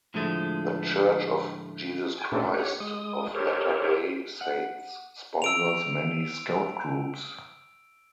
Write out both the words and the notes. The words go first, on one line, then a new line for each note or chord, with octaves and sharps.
The Church of Jesus Christ of Latter-day Saints sponsors many Scout groups.
A2 D3 F3 G#3 A3
G5 G#5
A#2 A3 C#4 D4 G4 A4
G4 C#5 F#5
G#3 D#6
G4 A4 A#4 C5 C#5
F#5
E6 D7 F7